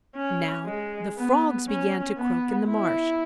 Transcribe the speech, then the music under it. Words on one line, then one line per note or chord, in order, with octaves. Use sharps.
Now the frogs began to croak in the marsh.
C#4
G#3
B3
C#4
B3
E4